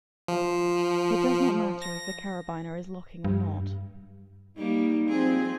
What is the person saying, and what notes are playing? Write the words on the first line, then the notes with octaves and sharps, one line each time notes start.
It does not matter if the carabiner is locking or not.
F3
A#6
G2
G3 A#3 D#4
F3 C4 G#4